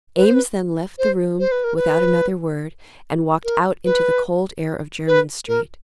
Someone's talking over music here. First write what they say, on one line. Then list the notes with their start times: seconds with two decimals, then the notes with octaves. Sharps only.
Eames then left the room without another word, and walked out into the cold air of Jermyn Street.
0.17 B4
0.25 C5
0.34 B4
0.99 C5
1.40 C5
1.52 B4
1.64 A#4
1.76 B4
3.44 A#4
3.85 B4
5.07 B4
5.48 A#4